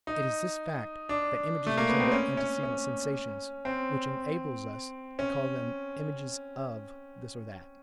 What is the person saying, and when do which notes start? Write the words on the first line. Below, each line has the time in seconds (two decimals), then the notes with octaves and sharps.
It is this fact, that images resemble antecedent sensations, which enables us to call them images "of" this or that.
0.07 D#4
1.09 D4
1.66 A3
1.77 A#3
1.89 B3
2.00 C4
2.11 C#4
2.37 C#4
2.63 C#4
3.65 C4
5.19 C#4